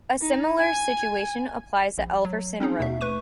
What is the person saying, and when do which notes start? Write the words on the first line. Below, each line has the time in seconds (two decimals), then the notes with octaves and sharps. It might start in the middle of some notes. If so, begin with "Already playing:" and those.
A similar situation applies at Elverson Road.
0.21 D#4
0.60 G#5
1.98 A#1
2.25 F#3
2.60 C4 C#4 D#4 G#4
2.79 D#2 B2 E5
3.01 A3 B4 C#6 D#7